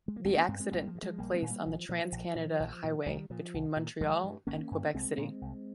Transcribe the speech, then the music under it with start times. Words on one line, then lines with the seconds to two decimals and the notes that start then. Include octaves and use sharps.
The accident took place on the Trans-Canada Highway between Montreal and Quebec City.
0.08 G#3
0.16 A#3
0.24 G#1 G#3 C4
0.36 A#3 C#4
0.48 G2 G#3 C4
0.60 G#3 C4
0.71 G#1 G3 A#3
0.87 F3 G#3
0.95 G2
1.02 F3 G#3
1.18 A#1 G3 A#3
1.34 G#3 C4
1.42 A#2
1.50 G3 A#3
1.65 A#1 F3
1.89 A#2 F3
2.12 A#1
2.36 A#2
2.60 A#1
2.84 A#2
3.06 C2 D#3 G3
3.30 A#2 F3
3.54 C2
3.77 A#2
4.01 G1 F3 G#3
4.24 G2
4.47 G1 A#3 C#4
4.71 G2
4.94 C2 G#3 C4
5.17 A#2
5.42 C2